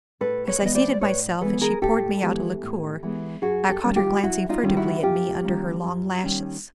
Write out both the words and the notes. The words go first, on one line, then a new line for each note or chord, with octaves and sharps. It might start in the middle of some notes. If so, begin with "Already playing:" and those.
As I seated myself, and she poured me out a liqueur, I caught her glancing furtively at me under her long lashes.
A2 A4 B4
B4 C#5
E3 G#3 B3 D#5
C5 D5
D5
A2 B4 C#5
E3 G#3 B3 A4 B4
G#4 A#4
A2 G4 A4
E3 G#3 B3
A2
E3 G#3 B3
F#2 F#4 G#4
G4 A4
D#3 G3 A#3 C#4
F4 G4
F#2 E4 F#4
D#4 F4
D#3 G3 A#3 C#4
E4 F#4
F#2 F4 G4
D#3 G3 A#3 C#4
F#2
D#3 G3 A#3 C#4